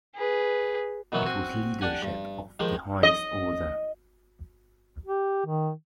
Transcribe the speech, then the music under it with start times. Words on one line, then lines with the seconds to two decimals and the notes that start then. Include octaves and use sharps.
It was leadership of the highest order.
0.16 G#4 B4
1.12 B2 D#3 E3 F#3 B3 C#4
1.26 C4 F#4 G#5
1.81 D4 G4 F#5 G#5
2.03 G2
2.60 D#3 F3 G#3 G4
3.03 D#5
5.06 G4
5.46 D#3